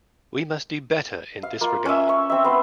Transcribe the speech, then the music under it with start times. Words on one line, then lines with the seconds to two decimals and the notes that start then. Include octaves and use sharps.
We must do better in this regard.
1.43 F5
1.61 A#3 F4
1.85 C#4 E5
2.09 C#6
2.30 C4 E5
2.44 B3 C6